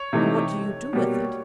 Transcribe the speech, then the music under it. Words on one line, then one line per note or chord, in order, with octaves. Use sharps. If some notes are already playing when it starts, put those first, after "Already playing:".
"And what do you do with it?"
Already playing: C#5
C3 E3 A3 C4 D#4
B2 G3 A#3